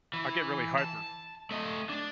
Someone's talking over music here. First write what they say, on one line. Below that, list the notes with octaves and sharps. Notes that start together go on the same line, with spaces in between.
I get really hyper.
E3
A5
A3 D#5
D4